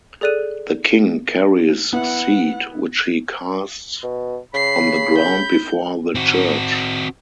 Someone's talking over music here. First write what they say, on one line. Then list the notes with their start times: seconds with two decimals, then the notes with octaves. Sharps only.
The king carries seed which he casts on the ground before the church.
0.21 G#4 A4 D5 F#6 D#7
1.93 B3 E4 F#5
4.03 B2
4.54 C#3 B5 C7
5.18 G6
6.15 C4 F#4